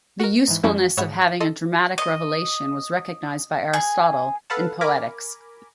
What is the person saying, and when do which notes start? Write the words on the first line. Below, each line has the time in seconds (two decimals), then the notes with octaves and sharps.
The usefulness of having a dramatic revelation was recognized by Aristotle, in "Poetics".
0.20 F#4 A#4
0.48 G#2 E3
0.63 F#2 F3 G3 G#3 C#4 E4
0.97 G#2 C#5 E5 F#5 B5 G#6
1.21 C#6
1.40 A4 D#5 C6
1.98 D#5
3.73 G#4
4.50 A4 B4 F5 F#5 A5
4.81 A#4 G#5 B5 D6